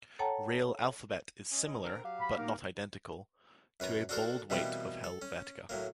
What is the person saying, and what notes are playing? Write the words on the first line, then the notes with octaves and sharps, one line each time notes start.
Rail Alphabet is similar, but not identical, to a bold weight of Helvetica.
A4 C#5 F#5 G5 A5 A#5
C#4 D#5
D3 C4 A#4
F#3 G4 F5
B5
A#3 D#4 A#4
F#2 B4 C#5 A#5
D4 F#4 A4 A#4 C5 D5
B2 E3 G3 A#3 C4 E4
A4
C#4
A2 F#3 A#3